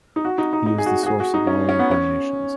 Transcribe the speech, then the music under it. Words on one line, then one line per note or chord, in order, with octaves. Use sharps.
He is the source of all incarnations.
D#4
F#4
D#4
D#4
D#4
G#4
F#4
F#4
G#4
F#4
D#4
C#4
C#4
B3
C#4